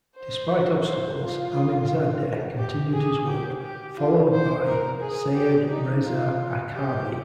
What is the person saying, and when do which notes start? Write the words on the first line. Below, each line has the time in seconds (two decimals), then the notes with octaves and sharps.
Despite obstacles, Aminzadeh continued his work, followed by Seyed Reza Akhavi.
0.16 C5
0.85 C5
1.20 F4
2.58 G4
2.93 G#4
3.27 G4
3.62 G4
3.97 F4
4.32 C5
4.66 A#4
5.00 G#4
5.34 G4
5.69 D#4
6.04 F4
6.73 G4